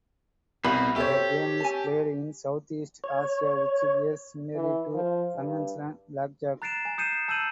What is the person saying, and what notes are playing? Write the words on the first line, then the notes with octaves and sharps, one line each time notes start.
The game is played in South East Asia which bears similarity to conventional Blackjack.
C2 B2 B5
F#4 G4 A4 C5 C#5 E5
G#5 A5
C#5
E3
F3
G2
A#5 F#6 A6 C7 D7 E7
G#5
D#6 G6 C7 C#7 D#7 E7
A5 E6 G6 D#7 F#7